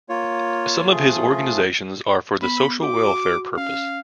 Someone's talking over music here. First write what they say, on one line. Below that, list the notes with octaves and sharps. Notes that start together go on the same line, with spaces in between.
Some of his organizations are for the social welfare purpose.
A#3 F4 C#5
C3 F3 A3 F4 G#4
B3 B5
F#4 D6
C#4 F5